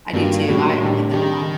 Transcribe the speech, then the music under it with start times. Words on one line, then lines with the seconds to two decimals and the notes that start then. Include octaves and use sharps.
I do too. I I like that a lot.
0.13 G2 D#3 G3 A#3 D4 F#4
0.46 A2 D#3 G3 A#3 D4 F#4
0.79 C3 G3 D4 G4
1.11 C3 D#3 G3 D4 G4